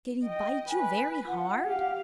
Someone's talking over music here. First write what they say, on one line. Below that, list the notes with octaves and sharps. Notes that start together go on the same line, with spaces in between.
"Did he bite you very hard?"
D#5 G5
B4 G#5
F4 F#5
G4 F5